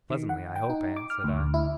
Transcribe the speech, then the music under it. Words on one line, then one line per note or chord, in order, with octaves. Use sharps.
'Pleasantly, I hope, aunt?' said I.
D#3
F#5
G5
D#4
D6
F6
D2
E4